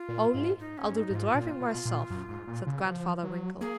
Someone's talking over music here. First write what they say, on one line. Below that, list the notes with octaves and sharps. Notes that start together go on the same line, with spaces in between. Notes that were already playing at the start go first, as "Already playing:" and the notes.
"Only, I'll do the driving myself," said Grandfather Winkle.
Already playing: F4
A#2
G#2
D#4
C#4
G#2
D#4
G#2
F4
A#2
B2
A#2
F#2
G#2
A#2
C#3
F3
F#3
A#3 G#4